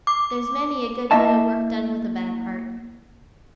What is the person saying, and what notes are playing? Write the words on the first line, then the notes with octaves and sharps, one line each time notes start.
There's many a good bit o' work done with a bad heart.
D6
A#3 E4 D#5 E5 A5